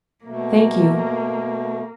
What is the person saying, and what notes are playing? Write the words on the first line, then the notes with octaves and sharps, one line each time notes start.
Thank you.
B2 A3 A#3